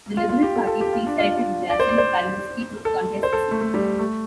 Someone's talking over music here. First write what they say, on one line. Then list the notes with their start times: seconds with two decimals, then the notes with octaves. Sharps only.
The Liberal Party preselected Jason Falinski to contest the seat.
0.17 F4
0.29 F4
0.43 G4
0.56 A4
0.67 A4
0.81 G4
0.93 F4
1.07 D4
1.19 F4
1.70 D5
1.80 C5
1.89 D5
1.98 C5
2.85 A4
3.23 C5
3.33 A4
3.51 A3
3.61 A3
3.74 G3
3.99 A3